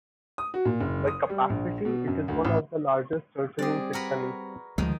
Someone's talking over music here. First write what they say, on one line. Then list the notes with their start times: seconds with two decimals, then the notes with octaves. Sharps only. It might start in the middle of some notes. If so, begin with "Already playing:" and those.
By capacity, it is one of the largest churches in Saxony.
0.38 D#6
0.54 F#4
0.65 A#2
0.80 F#1
1.07 D#6
1.30 G3
1.50 A#1
1.85 B2
2.08 F#2
2.28 D2
2.45 A1
3.59 G3 C4 G4 G#4 D5
3.93 F#4 A#4 B4
4.78 D2 D#3 F3 F#3 G#3